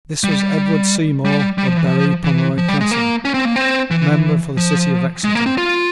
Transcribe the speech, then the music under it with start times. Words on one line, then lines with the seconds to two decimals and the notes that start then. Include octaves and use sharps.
This was Edward Seymour of Berry Pomeroy Castle, member for the city of Exeter.
0.24 G3
1.25 G3
1.58 G3
1.67 F3
1.77 E3
1.87 F3
2.24 E3
2.58 F3
2.69 G3
2.80 G#3
2.91 A#3
3.25 C#4
3.34 C4
3.45 A#3
3.56 C4
3.91 E3
4.57 F3
5.24 G#3
5.35 A#3
5.46 C4
5.58 F4